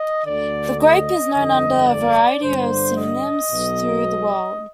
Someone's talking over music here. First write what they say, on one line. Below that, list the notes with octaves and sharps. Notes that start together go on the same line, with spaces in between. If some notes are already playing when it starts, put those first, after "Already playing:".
The grape is known under a variety of synonyms through the world.
Already playing: D#5
D2 D3 D5
D#5
G1 F2 D3 D#5
D5
G1 G2 D3 C5
D#5
B1 B2